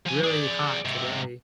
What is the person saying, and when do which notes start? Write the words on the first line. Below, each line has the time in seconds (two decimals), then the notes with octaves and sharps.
really hot today
0.06 F3 G#5
0.24 G#4 D5
0.85 G#2 C3